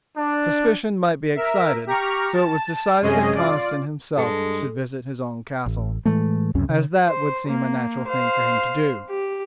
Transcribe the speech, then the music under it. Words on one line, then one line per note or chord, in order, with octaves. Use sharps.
Suspicion might be excited, so it was decided that Conniston himself should visit his own castle, as that would seem a natural thing for him to do.
D4
A#4 E5
G4 A#5 C#6 F6
A5
F#2 C3 G#3 C#4 G#4 D#5
F4 D5
G2 G#3 A4
A1
A2 E3 G#3 A3
C#2 F#2 C3 C#4
C#3
C5
A#3
C5 F5
G4